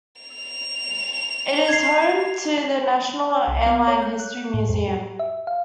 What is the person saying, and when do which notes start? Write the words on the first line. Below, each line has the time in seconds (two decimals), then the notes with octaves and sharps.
It is home to the National Airline History Museum.
0.22 F7
1.68 G#6 C7
3.48 C2
3.66 B3
3.88 C#5
4.02 G6
4.20 F#6
4.54 A2
4.69 F2
4.88 G4
5.19 E5
5.47 F5